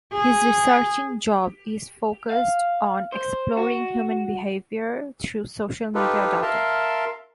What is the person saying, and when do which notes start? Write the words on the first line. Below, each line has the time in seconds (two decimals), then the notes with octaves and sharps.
His researching job is focused on exploring human behavior through social media data.
0.14 G#4
2.30 F5
3.12 C5
3.57 F#4
5.95 D#4 F4 G4 A4 B4
6.42 A#4 E5 F5 A5 C6